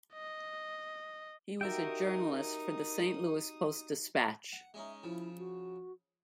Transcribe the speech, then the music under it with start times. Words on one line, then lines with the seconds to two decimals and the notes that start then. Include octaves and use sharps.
He was a journalist for the "Saint Louis Post-Dispatch".
0.14 D#5
1.61 D#4 F#4 G4 A#4 E5 G5 D#6
4.52 F#5
4.74 G#3 C#4 D#4 E5
5.03 C#3 F3 E4
5.38 F#4